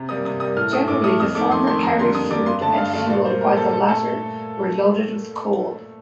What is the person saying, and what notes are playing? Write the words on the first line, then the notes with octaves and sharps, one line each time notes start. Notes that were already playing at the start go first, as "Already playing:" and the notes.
Generally, the former carried food and fuel while the latter were loaded with coal.
Already playing: C3
G3 A#3 D#6
C3 D#6
G3 A#3 D#6
A2 F6
A3 D#6
A2 D6
A3 D#6
F2 D#6
D#3 A3 D6
F2 C6
D#3 A3 C6
F2 A#5
D3 G3 A#3 C6
F2 D#6
D3 G3 A#3 D6
G2 C6
D3 A3 A5
G2 F5
D3 A3 F5
A#2 D5
G3 A#3 C5
A#2 A#4
G3 A#3 A4
A#2 A4
A3 A4